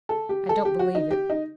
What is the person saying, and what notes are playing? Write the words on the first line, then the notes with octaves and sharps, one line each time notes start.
"I don't believe it!"
A4
G4
A4
G4
F#4
D#4
G4
D#4